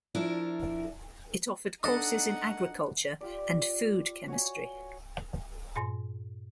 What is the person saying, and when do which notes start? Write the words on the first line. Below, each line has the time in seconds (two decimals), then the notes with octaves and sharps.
It offered courses in agriculture and food chemistry.
0.15 F3 D4 E4 A#4
1.84 D4 D#4 A4 D#5 F#5
3.21 F4 G4 D5
4.28 F#4 C#5 G#5
5.76 G2 A#2 C6